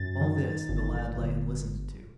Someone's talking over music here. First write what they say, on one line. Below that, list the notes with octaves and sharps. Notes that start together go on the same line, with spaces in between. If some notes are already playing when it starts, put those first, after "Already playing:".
All this the lad lay and listened to.
Already playing: F#2 A6
D#3
G1
G1